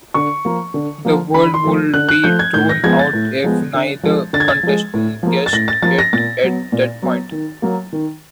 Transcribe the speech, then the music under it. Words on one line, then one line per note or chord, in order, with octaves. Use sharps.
The word would be thrown out if neither contestant guessed it at that point.
D3 C#6
F3 A#3
D3
F3 A#3
D3 B5
C6
F3 A3
D3 F#6
F#6
F3 A3 G6
G#6
A2 G6
A#6
F3 G#3 B3 G#6
A6
A2
F3 G#3 B3
D3
F3 G#3
D3 A6
G#6
A6
F3 G#3
A2
F3 A#3
A6
A2 A#6
A6
F3 A#3 A6
A#6
A#2 A6
F#3 B3
A#2
F#3 B3
D#3
F#3 A#3
D#3